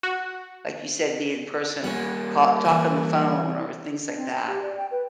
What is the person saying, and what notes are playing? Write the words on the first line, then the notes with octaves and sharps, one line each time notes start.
like you said, be in person, call talk on the phone or things like that.
F#4
G3 A#3 C#4 F#5
E3
D4
C4
G5
G4
D5
G5
B4